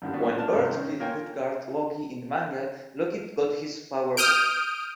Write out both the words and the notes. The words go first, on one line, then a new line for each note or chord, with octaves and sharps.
When Urd killed Utgard Loki in the manga, Loki got his power back.
G2 D3 D#3 G3
B3 D4 F4 F#4
D4 A5 F6
G2 C3 A4 F6
D#3 C#4
A#3 F4 C#5 G5 G#5
D#6 F6 G6 D7